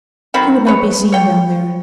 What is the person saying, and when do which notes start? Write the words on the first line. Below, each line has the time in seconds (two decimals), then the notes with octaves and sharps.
He would not be seen down there.
0.34 D#3 F#3 C4 B5
0.67 B4 C#5
1.12 C#5 G5